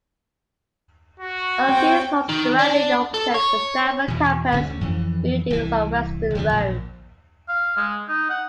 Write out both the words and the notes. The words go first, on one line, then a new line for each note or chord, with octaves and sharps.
All of these halls are directly opposite the Stafford campus buildings on Weston Road.
F#4
C4 C#5 G5
D#3
D4
A4
C#5
E2 B2
D2 D3 F#3 C#4
F2 E3
C2 E3
D#2 D3 F3
A#1
F5
G#3
D#4
F#5